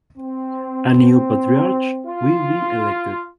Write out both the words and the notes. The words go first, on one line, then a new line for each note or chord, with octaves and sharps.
A new patriarch will be elected.
C4
F4